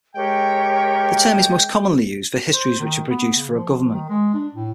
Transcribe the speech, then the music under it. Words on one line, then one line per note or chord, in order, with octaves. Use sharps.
The term is most commonly used for histories which are produced for a government.
G#3 G4 A#4 C#5 G5
C5
D#3
B3
C#3
F3
D#3
G#3
D4
A2